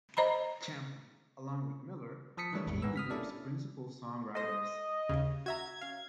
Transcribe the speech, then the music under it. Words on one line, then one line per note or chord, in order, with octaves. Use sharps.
Champlin, along with Miller, became the group's principal songwriters.
C5 D#5 A#5 B5
F3 A5 D#6 B6 C#7
D#3 E3 G3 A3 D4 C#5
G#1 E2 A2
G#2 B3 B4 E6
D#6 F6 B6
A#3 C#4 D4 E4 A4 D5
A4 C5 D#5
D#2 C#3
F#4 E5 A#5 G#6
C#4 F5